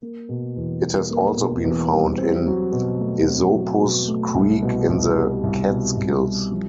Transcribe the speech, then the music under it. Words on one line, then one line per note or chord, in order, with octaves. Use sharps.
It has also been found in Esopus Creek in the Catskills.
A#3
B2
E2
G3
A#3
B2
E2
G3
C4
F#3
B2
A3
C4
F#3
B2
A3
C2
B2
C2
G3
C2
B2
C2
G3
F3